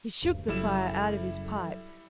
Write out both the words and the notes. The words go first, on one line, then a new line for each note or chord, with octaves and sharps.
He shook the fire out of his pipe.
D#1 D2 G2
F#1 C#3 F#3 G3 E4 A4 E5 E7